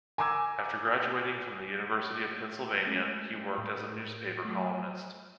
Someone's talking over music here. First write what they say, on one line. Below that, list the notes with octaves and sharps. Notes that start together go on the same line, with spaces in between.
After graduating from the University of Pennsylvania he worked as a newspaper columnist.
G#5 A#5 D6 E6 G#6
G#3 A3 C#4 G#5 D6 G6
A2 A#4
F#3 A3